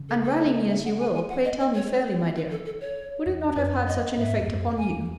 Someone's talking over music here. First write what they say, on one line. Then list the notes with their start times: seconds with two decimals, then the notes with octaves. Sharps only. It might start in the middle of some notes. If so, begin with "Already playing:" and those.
And, rally me as you will, pray tell me fairly, my dear, would it not have had such an effect upon you?
Already playing: C#3
0.09 A4
0.24 A4
0.39 C#5
0.54 D#5
0.70 E5
0.85 F#5
1.00 G#5
1.15 G#5
1.29 F#5
1.45 D#5
1.59 D#5
1.75 C#5
2.36 B4
2.50 A4
2.66 A4
2.81 C#5
3.26 E2
3.56 F#2 B4
3.87 D#5
4.17 G#2 E5
4.38 E2
4.48 F#2
4.77 E2 G#5